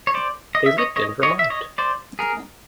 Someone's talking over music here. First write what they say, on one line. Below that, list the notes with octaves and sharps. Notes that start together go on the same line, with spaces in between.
They lived in Vermont.
C#5
C5 D5
D#5
E5
C#5 D#5
C#5 D#5
C#5 D#5
E5
C#5 D#5
C5 D5
G#4 A#4